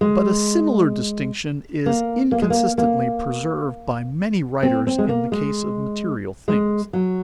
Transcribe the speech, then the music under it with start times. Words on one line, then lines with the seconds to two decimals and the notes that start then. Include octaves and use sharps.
But a similar distinction is inconsistently preserved by many writers in the case of material things.
0.01 G#3
1.86 A#3
2.32 A#3
2.42 G#3
2.50 A#3
2.78 A#3
4.63 C4
4.87 C4
4.98 G#3
5.09 A#3
5.32 G#3
6.48 G#3
6.93 F#3